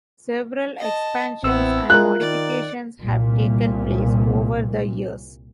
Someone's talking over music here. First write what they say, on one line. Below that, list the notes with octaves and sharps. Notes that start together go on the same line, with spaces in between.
Several expansions and modifications have taken place over the years.
D#5 A5
A1 B3 C4 E4 E6
G#3 F4 A#4 F#6
D#3 D5
C2 A#2